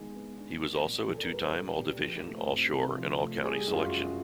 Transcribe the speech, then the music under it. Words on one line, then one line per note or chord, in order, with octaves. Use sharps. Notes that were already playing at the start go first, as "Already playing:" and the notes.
He was also a two-time All-Division, All-Shore and All-County selection.
Already playing: D#3 G#3 B3
B3
D4
A#3
A#2
A#2
A4
A#4
G3 B4
A#4
A#3 A4
A#2 G4
F3
A3
F2
C3
F3
A3
G3 G#4
F#2
F4
F#4
F#2